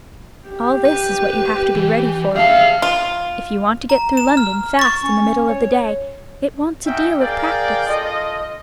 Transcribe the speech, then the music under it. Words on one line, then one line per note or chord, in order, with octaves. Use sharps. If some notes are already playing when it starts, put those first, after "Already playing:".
All this is what you have to be ready for. If you want to get through London fast in the middle of the day it wants a deal of practice.
G4
B4
E3
G#4 E5 F5 A5
F4
A#5
E7
F6
C#6 A6
C#4
C#5
C#4 D#4 F#4 E5 G5
G#4 A#4 D5 F5 G5
F4 A4 D#5